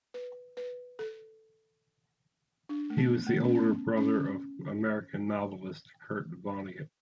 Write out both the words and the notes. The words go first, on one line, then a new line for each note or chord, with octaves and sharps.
He was the older brother of American novelist Kurt Vonnegut.
B4
B4
A4
D4
A3
B3
A3
C#4
B3
C#4